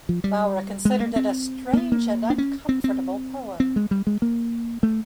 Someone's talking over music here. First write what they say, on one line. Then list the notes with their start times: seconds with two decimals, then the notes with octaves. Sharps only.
Bowra considered it "a strange and uncomfortable poem".
0.09 F3
0.24 G3
0.85 G#3
1.00 A#3
1.16 C4
1.73 A#3
1.77 B3
1.92 A#3
2.30 D4
2.38 C#4
2.69 C4
2.84 C4
3.60 C4
3.76 G#3
3.91 G3
4.07 G#3
4.22 A#3
4.83 A3